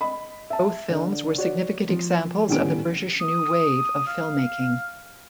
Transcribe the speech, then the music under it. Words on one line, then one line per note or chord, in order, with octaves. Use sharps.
Both films were significant examples of the British New Wave of film-making.
D#5 B5
E5 A5
D3
F#4 C#5 D5
F3
D#1 A2 G3 B3 C#4 D7
D#6
F5